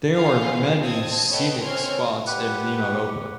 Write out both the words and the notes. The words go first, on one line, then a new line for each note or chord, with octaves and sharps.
There are many scenic spots in Mimaropa.
F4 B4 C5 F5 F#5 G#5
C4 A5 D#6 G#6
A4 B4 C#5 D#5 F#5 G5
C4 C#5 G#5 C6 F6 G#6
G4 B4 F#5